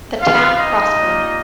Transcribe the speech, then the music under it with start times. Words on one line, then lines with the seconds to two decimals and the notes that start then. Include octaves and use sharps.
The town prospered.
0.21 C4 F4 G4 F5
0.59 D#4 D#5
0.96 G3 A#3 F4